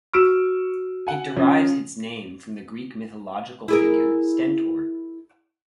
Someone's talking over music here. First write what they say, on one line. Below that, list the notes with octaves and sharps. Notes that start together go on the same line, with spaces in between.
It derives its name from the Greek mythological figure Stentor.
F#4 C#6 E6 F6 D7 E7
F#5 G#5
C#3 F3
E4 G#4 A#4